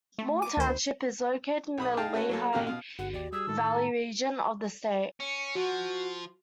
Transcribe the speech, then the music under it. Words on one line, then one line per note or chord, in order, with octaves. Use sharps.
Moore Township is located in the Lehigh Valley region of the state.
A3
D6 D#7
D2 D#3 C5 B5
B1 B5 D#6
D#4 G#4 F5 G5 A5
A3 C#4 F#4 A4 B4
F#3 A#3 A4
A1 B2 A#3 F#4 G4 F5
B2 F5
G1 F#4 F#5
D#2 G4 D5
G3 G#4 E6
A2 D#3 A4
A#5
C#4 C#7
F3 F#4